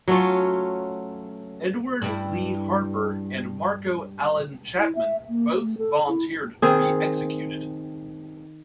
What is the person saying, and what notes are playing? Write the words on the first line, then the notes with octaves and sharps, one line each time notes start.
Edward Lee Harper and Marco Allen Chapman both volunteered to be executed.
F#3 A3 C#4 F4
G2 G3 E4
E4
E5
A#3
A3
A4
E4
D#3 C4 G#4